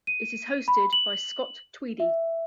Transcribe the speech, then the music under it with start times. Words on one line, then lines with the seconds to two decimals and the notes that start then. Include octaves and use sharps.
It is hosted by Scott Tweedie.
0.07 D#7
0.68 B5
0.93 F#7
2.00 E5